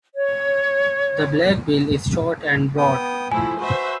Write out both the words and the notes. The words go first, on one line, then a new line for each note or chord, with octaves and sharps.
The black bill is short and broad.
C#5
B3 G5 D#6
F3 A3 E4 G#5
F#4 B4 C5 E5